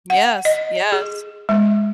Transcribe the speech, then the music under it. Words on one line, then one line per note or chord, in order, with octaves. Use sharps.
Yes, yes.
F#5
D#5
G#4
G#3